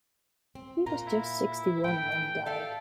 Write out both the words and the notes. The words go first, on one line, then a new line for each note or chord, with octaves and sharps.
He was just sixty-one when he died.
C4
A#2 A#3 F4 A#5
E4
A2 E3 G5
A4 D5 E5 F5